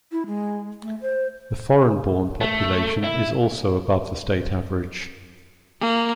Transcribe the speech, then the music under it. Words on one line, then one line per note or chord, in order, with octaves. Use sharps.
The foreign-born population is also above the state average.
E4
G#3
A3
C5
A3
E4
A#3